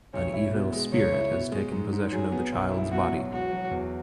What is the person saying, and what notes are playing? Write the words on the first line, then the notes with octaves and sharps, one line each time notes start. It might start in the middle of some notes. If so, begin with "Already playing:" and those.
An evil spirit has taken possession of the child’s body.
B1 C#5
E4
B2
G#3
C#2 C#5
E4
B2
G#3
G#2
G#2
F#3 G#4
B3
B1
E4
B2 F#4
F#3
E1 F#4
F#3
E2